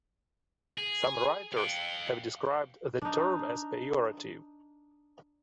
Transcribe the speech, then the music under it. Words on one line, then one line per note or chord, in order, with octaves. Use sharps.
Some writers have described the term as pejorative.
G#4
F5 G5
D4 D#4